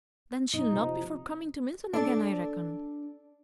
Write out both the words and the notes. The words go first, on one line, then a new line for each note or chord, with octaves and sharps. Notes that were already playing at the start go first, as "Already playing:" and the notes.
'Then she'll not be for coming to Milton again, I reckon.'
F#2 B2 D#4
C3 F3
D4 A4 D5